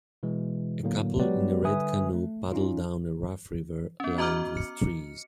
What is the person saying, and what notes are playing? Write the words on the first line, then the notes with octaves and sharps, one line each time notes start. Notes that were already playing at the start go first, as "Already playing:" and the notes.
A couple in a red canoe paddle down a rough river lined with trees.
B2 E3 G#3
A2 D3 F#3 A#3
F#3 G#3 B3 G4 B4 D5
D3 G3 B4 E5 G#5 D#6
A3
C#4 D#4 F4
B3 C#4
F#4 D#5 A#5 D6 F6
C#7